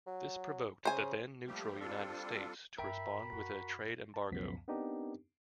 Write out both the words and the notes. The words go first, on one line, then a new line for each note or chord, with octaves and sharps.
This provoked the then neutral United States to respond with a trade embargo.
F#3
C#3 C5 G#5
F3 G3 A3 A#3 G4
G3 C4 D4 F4 A4
G2 F4 A#4 E5 G5 B5
F#2 F#4
A5
C#2 F#2 B2 F3 B3 B6
B3 C4 D4 D#4 G4 A#4